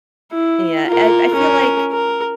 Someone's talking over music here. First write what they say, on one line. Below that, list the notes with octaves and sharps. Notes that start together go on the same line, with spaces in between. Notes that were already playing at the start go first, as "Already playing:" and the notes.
Yeah, I I feel like
E4
F4 A#4
C#4 A#4
A#4